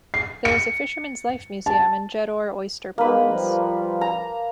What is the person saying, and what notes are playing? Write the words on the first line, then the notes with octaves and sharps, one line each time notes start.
There is a Fisherman's Life Museum in Jeddore Oyster Ponds.
C7
C#7
A5
G#3 A#3 B3 D#4 B4
F3 G3
A#5